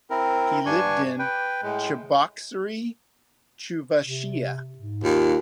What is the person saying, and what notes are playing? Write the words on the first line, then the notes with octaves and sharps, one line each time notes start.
He lived in Cheboksary, Chuvashia.
C4 E4 A#4
G2 D4 G#5 C#6
B4 G5
A2 G#3
C3
G#2
D#2 F4